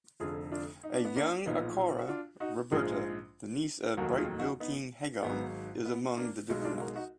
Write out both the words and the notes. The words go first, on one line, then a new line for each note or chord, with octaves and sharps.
A young Acara, Roberta, the niece of Brightvale King Hagan, is among the diplomats.
F1 F2 D3 F4 G#4
D4 F4
D#4
D4
B3
A#3 D4
B1 A#2 F3 B3 D#4
F#4
D4 F4
D#4 F#4
A#1 G#2 F3 G#3 F4 G#4
F1 D#2 D#3 F#3 F#4 A#4
F4 G#4
D#4 F#4
B3 D#4
G#1 G#2 F#3 B3
B3
A#3 D4
B1 B2 G#3
D#4
D4 F4
F#4 A#4
D#4 F#4